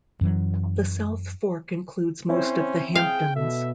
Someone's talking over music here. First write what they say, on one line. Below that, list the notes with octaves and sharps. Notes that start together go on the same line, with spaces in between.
The South Fork includes most of the Hamptons.
F#2 E3 F#3
C4 C#4 E4 C5 C#5
G#4 F5 G5
B2 A4 E5